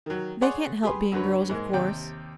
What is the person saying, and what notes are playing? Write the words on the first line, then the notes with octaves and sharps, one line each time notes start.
They can't help being girls, of course.
D#3 F#3
G#4 C#5 D5 F#5 C6
G4 G#4 B4 C6
F#2 D3 F#3 B4 C#5
G#2 G#3 A#3
D#2 C3 D5 G5